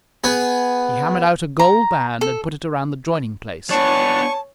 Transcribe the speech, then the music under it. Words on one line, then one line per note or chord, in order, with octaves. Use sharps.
He hammered out a gold band and put it around the joining place.
B3 G#4
A#5
A4
B3 D4 C#5 G#5 A5 C#6